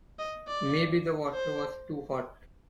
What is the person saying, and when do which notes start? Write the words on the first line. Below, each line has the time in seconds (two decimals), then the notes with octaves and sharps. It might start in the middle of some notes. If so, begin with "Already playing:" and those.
Maybe the water was too hot.
0.19 D#5
0.48 D5
1.34 C5